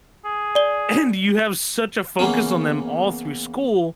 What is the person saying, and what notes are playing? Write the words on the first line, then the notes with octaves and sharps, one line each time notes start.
And you have such a focus on them all through school,
G#4
D5 G7
C#3 E3 A#3 B3 C#4